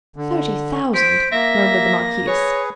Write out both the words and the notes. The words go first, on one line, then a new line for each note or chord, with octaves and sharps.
"Thirty thousand," murmured the marquise.
D3
C5 B6 D7
A#3 E5 A#6
G#4 B4 C#5